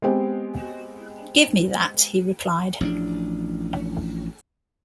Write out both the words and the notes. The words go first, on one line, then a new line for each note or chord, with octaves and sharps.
Give me that,’ he replied.
G#3 B3 C4 G4
A1 F3 B3 D4